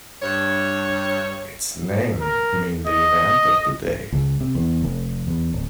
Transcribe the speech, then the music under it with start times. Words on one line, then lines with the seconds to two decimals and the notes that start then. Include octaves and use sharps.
Its name means "The event of the day".
0.23 G2 C#5
2.21 A#4
2.87 D#5
4.12 C#2
4.41 C3
4.55 E2
4.82 F1
5.27 E2
5.53 D1